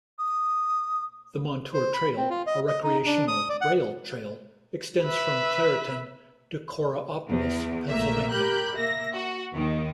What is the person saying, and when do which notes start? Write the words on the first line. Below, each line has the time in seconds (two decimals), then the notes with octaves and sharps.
The Montour Trail, a recreational rail-trail, extends from Clairton to Coraopolis, Pennsylvania.
0.19 D#6
1.74 C5
1.94 B5
2.17 C4
2.30 F4
2.47 D#5
2.68 D#5
2.83 D#4
3.06 D4
3.28 D#6
3.50 D5
3.61 F#5
5.04 B4 E5
7.28 E2
7.88 A#1 A3 A#3 E5 A#5
8.31 G4 A#4 B5 F#6 G6
8.75 A#3 E5 A#6
9.14 F#4
9.54 D#2 D#3